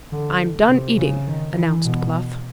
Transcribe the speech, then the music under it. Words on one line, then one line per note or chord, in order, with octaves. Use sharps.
"I'm done eating," announced Bluff.
D3
C3
C#3
D#3
E3
B2